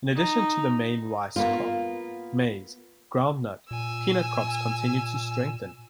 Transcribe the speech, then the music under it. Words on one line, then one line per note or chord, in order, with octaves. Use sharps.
In addition to the main rice crop, maize, groundnut, peanut crops continued to strengthen.
D#4
A#3 B3 F4
A#2 G#5 E6